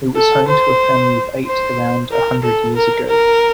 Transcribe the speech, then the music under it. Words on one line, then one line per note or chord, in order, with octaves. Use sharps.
It was home to a family of eight around a hundred years ago.
A4
C5
C5
A#4
A4
A#4
A#4